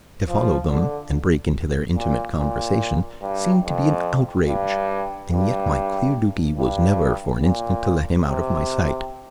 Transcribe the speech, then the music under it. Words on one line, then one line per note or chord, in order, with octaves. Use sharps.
To follow them and break into their intimate conversation seemed to be an outrage, and yet my clear duty was never for an instant to let him out of my sight.
F3
D3
A#2
A#2
G2
F2
G2
G2
G2
A#2
C3